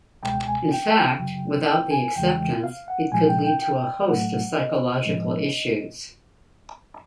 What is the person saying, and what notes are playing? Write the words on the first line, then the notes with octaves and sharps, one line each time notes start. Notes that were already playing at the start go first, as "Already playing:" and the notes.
In fact, without the acceptance, it could lead to a host of psychological issues.
C#2 B2 G#3 G5
G#5
G5
F#2 C#3 F#3
G5
G#5
E2 C#3 E3 G#3 G5
F5
F#5
A#2 F3 G#3 G#5
G5
G5
G5
A2 F#3 A3 F#5
D#5
A2 F3 G#3